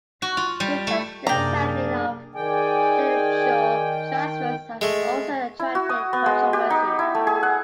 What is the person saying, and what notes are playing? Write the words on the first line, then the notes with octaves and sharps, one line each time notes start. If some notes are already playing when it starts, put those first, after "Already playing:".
Chief Justice's handling of judicial transfers has also attracted controversy.
F#4
F4
G3
A3
F#2 C3 A#3 D4 G#4 D5 G5 A#5
D#3 G#4 D5 G5 G#5
G#3 A3
E4
F#4
D#6
B3
G#3
G4
D#4
E4
A3
G#4
F#5